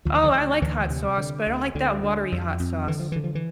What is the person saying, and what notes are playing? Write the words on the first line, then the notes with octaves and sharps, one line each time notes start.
Oh, I like hot sauce, but I don't like that watery hot sauce.
D2 F3
E3
D3 F3
D2
D2 E3
C3
D3
D2
D2 D3
D3
F2
F2
D3 E3
F3
D3 E3
F3
E3